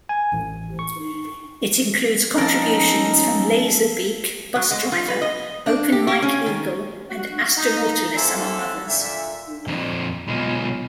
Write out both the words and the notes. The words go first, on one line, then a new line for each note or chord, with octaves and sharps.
It includes contributions from Lazerbeak, Busdriver, Open Mike Eagle and Astronautalis, among others.
G#5
A1
C#6
F3 B3 C#4 D#4 A4 A#4
F#3
G#3
F4
B4
D#5
D4
G4
G4
C#4
D#3
F#4
D#4
G#3 A#3 C4 E4 A4
A#2 D3 E5
F2 A#2
B1 G#3 B3 F4